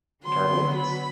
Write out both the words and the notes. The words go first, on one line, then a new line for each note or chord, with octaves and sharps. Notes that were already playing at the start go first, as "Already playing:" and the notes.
Term Limits.
D3 F#3 B3 C6
B5